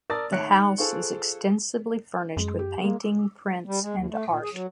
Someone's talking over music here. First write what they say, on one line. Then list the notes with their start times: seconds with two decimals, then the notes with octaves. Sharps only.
The house is extensively furnished with paintings, prints, and art.
0.10 A#4 D5 A5 D#6 E6 A6
0.31 D#3 A3 C#5 F#6 C#7 D7
0.48 D#4
0.78 F4 G#4 A4 C5 F5 C#6
2.37 F#2 G#3
2.59 G4
2.81 G#3 A#3
3.66 G3
3.82 G#3
3.96 D#2
4.10 A3
4.29 A#2
4.42 G#4
4.53 F#3